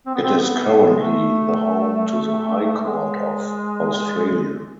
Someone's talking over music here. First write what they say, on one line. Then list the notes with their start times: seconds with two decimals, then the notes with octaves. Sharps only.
It is currently the home to the High Court of Australia.
0.06 C4
0.15 B3
0.23 C4
0.37 B3
0.68 B3
0.89 G#3
0.99 A3
2.84 G#3